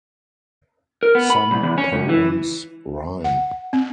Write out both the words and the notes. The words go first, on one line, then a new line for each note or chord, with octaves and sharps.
Some poems rhyme.
A#4
B3
B5
C2
E2
C#4
C#2
E3
F#5
C4